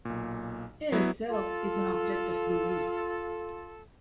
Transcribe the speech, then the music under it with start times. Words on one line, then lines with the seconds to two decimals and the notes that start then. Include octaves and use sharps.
It, itself, is an object of belief.
0.05 B1 A#2
0.92 F#3 B3 E4
1.30 F4 A4